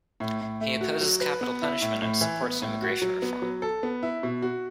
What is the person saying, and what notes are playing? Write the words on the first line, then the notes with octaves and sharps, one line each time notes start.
He opposes capital punishment, and supports immigration reform.
A2
A2
A3
F#4
F#3
B4
B3
E4
A2
A2
E3
B3
A2
F#4
F#3
B3
F#3
A4
B3
E4
B2
F#4